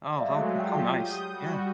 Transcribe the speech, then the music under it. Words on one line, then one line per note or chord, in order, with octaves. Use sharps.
Oh, how how nice. Yeah.
F#3 G#3 A3 D5 E5 F5
F#3 F4 G4 G5
D#6 G6
G3 F#4